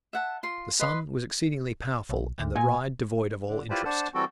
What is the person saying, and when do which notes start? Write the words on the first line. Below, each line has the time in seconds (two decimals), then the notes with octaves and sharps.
The sun was exceedingly powerful, and the ride devoid of all interest.
0.13 E5 F#5 A5
0.43 F4 C6
0.80 B4 D#5 C6
2.09 B1
2.40 D2
2.56 A#2 G#5
3.48 D3
3.70 E4 F4 G4 B4 C5 D5
3.85 D4 C5 F#5 A5
4.14 E3 G3 C4 F#4 A4